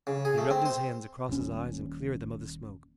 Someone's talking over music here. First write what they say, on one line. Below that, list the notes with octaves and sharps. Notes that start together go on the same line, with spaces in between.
He rubbed his hands across his eyes and cleared them of the smoke.
C#3
G#4
A3
C4
C5
D#1 D#2 C#4